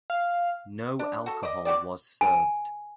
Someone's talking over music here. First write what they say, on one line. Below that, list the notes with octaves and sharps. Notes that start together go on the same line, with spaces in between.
No alcohol was served.
F5
D4
F#4 A4
D5 D#5
C4 F#4 G4 D5
G#5